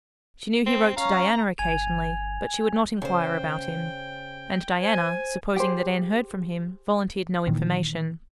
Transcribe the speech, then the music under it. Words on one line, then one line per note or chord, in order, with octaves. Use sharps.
She knew he wrote to Diana occasionally, but she would not inquire about him; and Diana, supposing that Anne heard from him, volunteered no information.
C4
C#4 F5 A#5
G1 G#5 G#6 F7
C#3 C5 G5
C5 G#5
G4 G#4 C5
A#2 D#3 E3